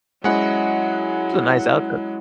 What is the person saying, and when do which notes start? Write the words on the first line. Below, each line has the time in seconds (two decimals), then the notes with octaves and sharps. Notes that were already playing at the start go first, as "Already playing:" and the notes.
It's a nice outfit.
0.24 F#3 G#3 C#4 E4 D#5 F#5